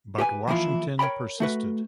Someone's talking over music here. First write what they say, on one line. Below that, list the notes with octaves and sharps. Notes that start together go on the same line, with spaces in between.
But Washington persisted.
G4 B4 G#5
E3 F3 A#3 E4 F4
A#4 C#5 D#5 G5 B5
A3 F#4 B4